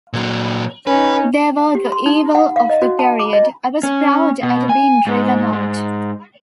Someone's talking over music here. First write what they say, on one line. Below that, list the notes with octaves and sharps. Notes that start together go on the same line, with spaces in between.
They were the evil of the period; I was proud at being driven out.
A#2 F#3
C#4 D#4 B4
G4
C6
D#4
F#5
F5
D#5
F#4
A5
D6
D#5
C#4
B2
G#5
G#2
G#2